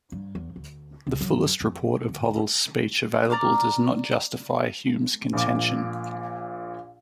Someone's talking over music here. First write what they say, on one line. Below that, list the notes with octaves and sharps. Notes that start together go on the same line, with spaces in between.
The fullest report of Hovell's speech available does not justify Hume's contention.
G2
E2
D2
C#2
F#2
F2
D2
D5 A#5 D6 F6
A#1 A#2 D6